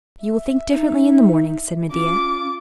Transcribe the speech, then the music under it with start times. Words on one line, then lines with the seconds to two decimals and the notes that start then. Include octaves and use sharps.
"You will think differently in the morning," said Medea.
0.20 E5
0.72 D#4
1.91 C#4 F4 D6